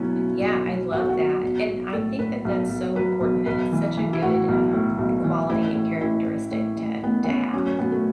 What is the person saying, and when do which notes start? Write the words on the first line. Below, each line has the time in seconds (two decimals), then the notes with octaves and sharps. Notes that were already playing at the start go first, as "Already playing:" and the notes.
Yeah, I love that, and I think that that's so important and it's such a good, um, quality and characteristic to to have.
Already playing: B1 B2 F#3 B3 C#4 E4
0.16 B2
0.40 B1
0.66 B2
0.91 B1 F#4
1.01 A4
1.09 F#4
1.17 F#3
1.43 B1
1.68 B1
1.93 A2 A4
2.19 A2 B4
2.45 B1
2.69 B1
2.96 F#3 B4
3.20 B1
3.46 B1 B4
3.72 E3
3.97 E3
4.13 E4
4.22 A2 F#4
4.48 B1
4.73 A2
4.99 B1
5.24 E3
5.50 A1 E4
5.75 A2
6.01 A1 E4
6.26 A2
6.51 A2
6.77 A1
7.03 A1 B3
7.24 B3
7.28 A1 C#4
7.53 F#3 C#4
7.67 C#4
7.79 B2 B3
7.92 A3